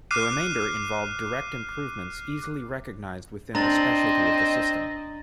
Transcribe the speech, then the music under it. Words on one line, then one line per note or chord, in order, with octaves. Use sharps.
The remainder involved direct improvements easily recognized within the specialty of the system.
D6 F6 F#6 C7 D#7
C4 D4 D#5 A#5 A6 F#7